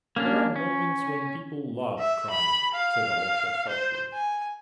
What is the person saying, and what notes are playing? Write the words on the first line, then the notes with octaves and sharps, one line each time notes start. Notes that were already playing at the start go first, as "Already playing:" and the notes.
"There are moments when people love crime," said Alyosha thoughtfully.
A#3 C#4 D4
C#4
E5
B5
F5
C5
G#5